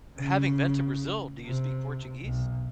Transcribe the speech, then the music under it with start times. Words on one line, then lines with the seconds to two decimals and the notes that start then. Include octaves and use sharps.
having been to Brazil, do you speak Portuguese?
0.16 C#3
1.45 C3
2.24 B1